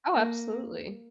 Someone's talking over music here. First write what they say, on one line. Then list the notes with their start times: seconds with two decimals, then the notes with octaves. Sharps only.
Oh, absolutely.
0.13 A#3